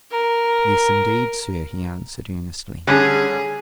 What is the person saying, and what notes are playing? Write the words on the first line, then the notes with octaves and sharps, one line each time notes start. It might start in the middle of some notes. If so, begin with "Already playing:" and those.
"Yes, indeed, sir," he answered, earnestly.
A#4
D3 G3 C#4 G#4